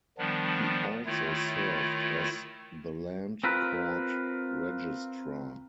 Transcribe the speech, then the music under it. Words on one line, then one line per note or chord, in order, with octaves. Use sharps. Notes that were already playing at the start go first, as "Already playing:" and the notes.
He also served as the Land Court Registrar.
D#3 F3 G3 B3 D4
D#3 A3 E4 F4 C#5
C4 F4 A#4 B4